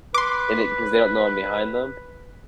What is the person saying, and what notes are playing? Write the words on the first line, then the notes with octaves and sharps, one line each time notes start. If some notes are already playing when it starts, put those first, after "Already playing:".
and it 'cause they don't know I'm behind them,
B4 C6 D6